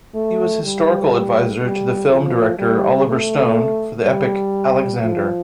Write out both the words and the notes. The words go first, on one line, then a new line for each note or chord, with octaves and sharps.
He was historical advisor to the film director Oliver Stone for the epic "Alexander".
A3
G3
G3
F3
G3
A3
G3
F3